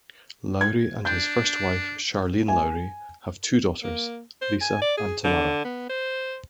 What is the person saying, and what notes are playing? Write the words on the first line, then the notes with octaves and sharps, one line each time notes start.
Loury and his first wife, Charlene Loury, have two daughters, Lisa and Tamara.
G#6
D4 G6
G#5
A#3
C5
G#5
D5
G#4
D3
B3
C5